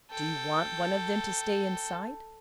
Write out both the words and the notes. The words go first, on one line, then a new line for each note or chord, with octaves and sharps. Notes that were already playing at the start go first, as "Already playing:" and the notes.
Do you want one of them to stay inside?
A4 G5